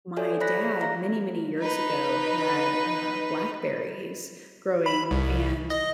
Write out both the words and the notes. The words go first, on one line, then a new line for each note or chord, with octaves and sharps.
My dad, many, many years ago had, uh, blackberries growing, and
F#4 A4 C#5 D5 E5 G#5
C5 D5 B5 F#6 A#6 B6
G#4
D5 F5 A#5 A#6
D#4 B4
B5
C2
D#5